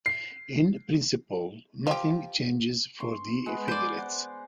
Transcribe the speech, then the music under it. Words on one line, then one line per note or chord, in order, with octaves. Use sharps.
In principle, nothing changes for the federates.
C7
F3 G4
C6 C#6
G#3 B3
C5 D5
F#5 D6